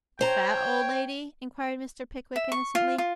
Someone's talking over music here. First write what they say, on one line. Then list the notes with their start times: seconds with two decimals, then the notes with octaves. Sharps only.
'The fat old lady?' inquired Mr. Pickwick innocently.
0.21 C5 C#5 G5 A#5
2.36 E5
2.52 C#6
2.75 F4
2.98 F4